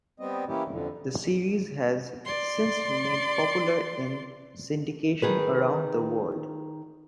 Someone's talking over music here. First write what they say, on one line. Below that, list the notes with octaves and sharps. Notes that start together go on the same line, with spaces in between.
The series has since remained popular in syndication around the world.
G3 B3 C4 D#5
E3 A#3 C#4 E4 G4
F2 D3
D5 C6
D#3 G#4 B4